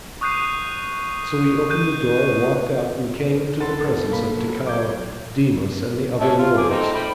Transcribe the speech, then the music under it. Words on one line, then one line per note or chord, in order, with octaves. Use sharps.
So we opened the door, walked out, and came into the presence of Tikal, Dimas, and the other lords.
C#6 D#6 F#6 G6 C7 D#7
F#6 G6 D#7
A#4 C5
C2 A4 F#5 B5 C6
A#1 B2 D4 B4
A#3 B5
F#3
C#6 D6 G6 G#6
C#4 E5 A5
F4
G#4 D6
A3 C4 D#4
G5 B5